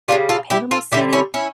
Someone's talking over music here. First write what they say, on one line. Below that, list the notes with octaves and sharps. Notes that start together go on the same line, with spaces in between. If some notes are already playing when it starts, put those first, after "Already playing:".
Panama City,
C#3 E3 G3 D4 F4
F4 A4
E4 G4
F4 A4
D3 G3 E4 G4
C#4 E4
C#4 E4